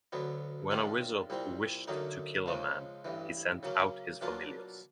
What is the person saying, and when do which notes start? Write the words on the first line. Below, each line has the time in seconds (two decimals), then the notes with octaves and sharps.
When a wizard wished to kill a man, he sent out his familiars.
0.12 D2 D3 F#3 B3
0.71 G2 D#3 G#3 C#4 F4
1.30 C2 A#2 G3 C4
1.87 F#2 D3 F#3 A#3 D#4
2.46 C#2 C#3 F3 G#3
3.05 A1 G2 E3
3.63 C#3 F#3 A#3 C#4
4.21 B2 F#3 A#3 D4 F4